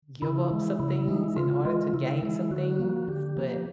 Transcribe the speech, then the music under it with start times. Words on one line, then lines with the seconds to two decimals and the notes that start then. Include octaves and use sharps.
give up some things in order to gain some things, but
0.22 C#3 E4
0.51 E3 G#3
0.80 C#3 E4
1.08 E3 G#3 D#4
1.24 E4
1.37 C#3 F4
1.65 E3 G#3 F4
1.93 C#3 E4
2.22 E3 G#3
2.50 D3 F#4
2.79 F3 A#3
3.08 D3 G4
3.37 F3 A#3